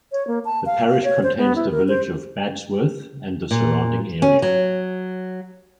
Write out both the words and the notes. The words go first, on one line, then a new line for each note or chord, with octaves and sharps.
The parish contains the village of Badsworth and the surrounding area.
C#5
A#3
A5
F5
F5
C#5
C5
B3
E4
A#4
C5
A#2
C#4
F#3